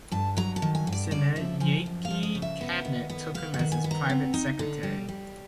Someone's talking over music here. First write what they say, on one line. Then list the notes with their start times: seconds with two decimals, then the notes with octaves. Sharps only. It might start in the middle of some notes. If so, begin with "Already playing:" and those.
Senanayake Cabinet took him as his Private Secretary.
0.11 G2 A5
0.37 F#3 A#5
0.56 A5
0.62 D#3
0.75 G#5
0.87 G2
0.92 D5
1.11 C#3 D5
1.36 F3 E5
1.60 F3 G#5
1.86 F#2
2.05 F5
2.10 F3
2.23 D#5
2.35 C#3
2.42 E5
2.61 B3
2.85 D#3
3.10 B3
3.34 B3 F5
3.54 F#5
3.59 D#3
3.72 G#5
3.84 B3
3.91 A#5
4.10 C4
4.34 D#4
4.59 D3
4.83 G3
5.09 G3